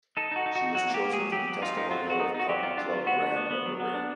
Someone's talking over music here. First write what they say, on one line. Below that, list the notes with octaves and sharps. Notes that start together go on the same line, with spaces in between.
She was chosen to be testimonial of "Cotton Club" brand underwear.
D#4 A4
D#4 F#4
D#4
F#4
D#4
F#3 F#4
A#3 G4
A#3
G#4
F#3
F#3 G4
F#3
D#4 F4
D#4
F#3 F4
F#3 F#4
D#4
D#4 F#4
F#3 G4
F4
D4 F4
F#3
B3 F#4
D4
B3
B3
F#3
B3
D4